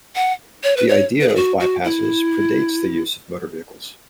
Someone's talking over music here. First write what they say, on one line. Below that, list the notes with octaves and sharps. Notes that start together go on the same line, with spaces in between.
The idea of bypasses predates the use of motor vehicles.
F#5
C#5
B4
C#5
B4
G#4
F#4
F#4
E4